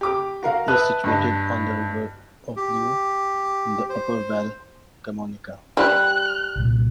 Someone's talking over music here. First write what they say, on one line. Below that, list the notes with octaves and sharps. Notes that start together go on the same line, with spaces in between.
It is situated on the river Oglio, in the upper Val Camonica.
G4 D6
F#4 A#4 F5
B4 E5 A5 D#6 F#6
G2 D#5 A5
G4
C5
G3 F#6
C2 A#2 G3